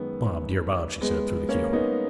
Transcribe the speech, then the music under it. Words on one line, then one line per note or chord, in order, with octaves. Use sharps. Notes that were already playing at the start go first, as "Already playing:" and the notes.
'Bob, dear Bob!' she said, through the keyhole.
Already playing: F#2 D#3 G#3 B3
G#3 B3
A#3 C#4
B3 D#4